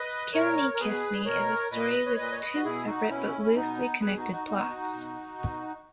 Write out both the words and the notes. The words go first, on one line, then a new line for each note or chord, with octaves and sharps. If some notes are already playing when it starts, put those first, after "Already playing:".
"Kill Me, Kiss Me" is a story with two separate but loosely connected plots.
Already playing: B4 D#5
A#2 A#4 C#5
A#4
B2 G#4 B4
B2 A#4 C#5
A#2 B4 D#5
C#5
A#2 B4 D#5
C#5
B4 D#5
F#4
B2 E4 G#4
D#4 F#4
B2 C#4 E4
E4
B2 B3 D#4
B2 G#4 B4
D#4 F#4
D#4 F#4
B2 D#4 F#4
B2
B2